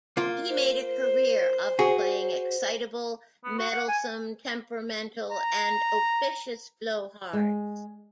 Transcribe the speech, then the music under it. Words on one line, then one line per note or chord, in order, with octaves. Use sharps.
He made a career of playing excitable, meddlesome, temperamental, and officious blowhards.
A#3 F4
C5
F#4 G#4
B3
F#4
F#5
G#5
A#5
G#3